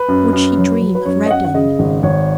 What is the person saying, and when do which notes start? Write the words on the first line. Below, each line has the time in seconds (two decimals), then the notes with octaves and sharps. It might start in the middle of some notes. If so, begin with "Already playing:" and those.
Would she dream of Reddin?
Already playing: B4
0.08 F#2
0.33 F#2
0.58 F#3
0.81 F#3
0.95 B4
1.05 F#2 C#5
1.26 D#5
1.30 F#2 F#5
1.45 F#5
1.54 C#3 D#5
1.79 G#1
2.03 G#1 C#5